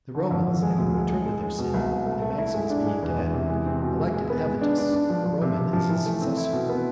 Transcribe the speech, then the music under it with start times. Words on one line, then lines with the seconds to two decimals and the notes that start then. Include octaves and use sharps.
The Romans, having returned to their city, and Maximus being dead, elected Avitus, a Roman, as his successor.
0.15 D3
0.31 F2
0.47 F2
0.62 G#3
0.78 D2
0.94 G#3
1.10 G#3
1.26 G#3
1.42 G#3
1.59 B2
1.74 C2
1.90 C2
2.06 A3
2.22 A3
2.38 E4
2.54 G#3
2.70 D4
2.86 G#3
3.02 E2
3.18 E2
3.34 C3
3.50 G#3
3.66 C4
3.82 B2
3.98 G#3
4.14 G#3
4.30 B3
4.46 G#3
4.61 D4
4.78 D4
4.94 D4
5.10 F3
5.26 F3
5.41 C3
5.57 C3
5.73 F3
5.90 E3
6.06 A3
6.21 C4
6.37 E4
6.53 B2
6.69 B3